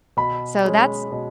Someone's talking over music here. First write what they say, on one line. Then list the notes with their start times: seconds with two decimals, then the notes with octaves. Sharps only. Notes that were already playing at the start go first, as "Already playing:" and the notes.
so that's
0.17 B2 B5
0.65 G#3 C#4
1.12 B2